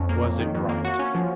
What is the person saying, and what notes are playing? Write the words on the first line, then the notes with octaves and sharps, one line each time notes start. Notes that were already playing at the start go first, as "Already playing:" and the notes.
Was it right?
Already playing: F2 C#4
A#3
F2
D#3
F2
A#3
F#4
C#4
F3